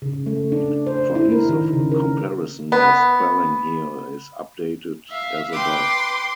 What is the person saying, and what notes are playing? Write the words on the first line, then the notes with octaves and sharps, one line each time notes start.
For ease of comparison the spelling here is updated as above.
C#3
A3
D4
C5
E4
A#4
D#3
C#3
A#4
B3
E5 F5
B4 G5 C6 D6